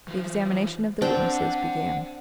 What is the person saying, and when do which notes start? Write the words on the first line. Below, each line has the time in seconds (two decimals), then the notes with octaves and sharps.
The examination of the witnesses began.
0.08 E3 F4
1.02 C4 D4 D5 F#5 G5